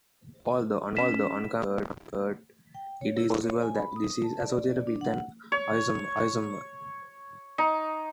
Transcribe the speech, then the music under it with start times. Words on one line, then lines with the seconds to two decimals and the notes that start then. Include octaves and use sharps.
Although unconfirmed, it is highly possible that this is associated with an isomer.
0.97 C#4 B6 E7
2.75 G5
3.01 C#5
3.17 E4
3.43 C#5
3.62 G#5
3.76 B5
3.96 D#6
4.23 A5
4.44 D5
4.70 D5
4.87 D4
5.01 F#5
5.52 C#5
7.58 D#4